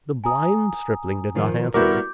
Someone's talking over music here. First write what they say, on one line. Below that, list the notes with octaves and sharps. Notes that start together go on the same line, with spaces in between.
The blind stripling did not answer.
G#5 A#5 D#6
D#3 F3
G3 B3 E4 F#4 A#4 D6 G6